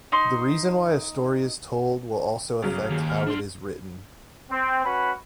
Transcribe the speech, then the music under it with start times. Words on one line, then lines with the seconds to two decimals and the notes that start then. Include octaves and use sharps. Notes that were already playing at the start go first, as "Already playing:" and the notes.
The reason why a story is told will also affect how it is written.
0.12 D#4 C6
2.62 G1 C#3 F#3
2.90 D#2
3.09 F6
3.27 D4 C6
4.51 C4
4.85 C#4 F#4 B4 B5